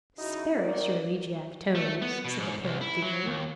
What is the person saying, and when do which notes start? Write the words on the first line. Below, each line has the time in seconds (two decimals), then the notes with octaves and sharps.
"Spare us your elegiac tones," said the Parrot giggling.
0.18 C#3 D#4 E4 F#4
0.53 F#2 D#3 A#3 A#4 D5
1.75 A3
2.02 B3
2.25 B2
2.38 G#2
2.64 C2
2.81 E4
3.02 F#3
3.26 D#2